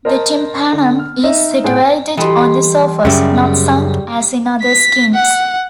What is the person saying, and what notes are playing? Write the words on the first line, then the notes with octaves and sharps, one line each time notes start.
The tympanum is situated on the surface, not sunk as in other skinks.
A#4 C5 D#5 A5
D3
F6
D#4 D#5 E5
A2 G#4 C5 F#5 G5 D7
E3 G3 A4 D#5 B5 C6
F#2 C#3 G3 G4 D5 E5
B6
F#5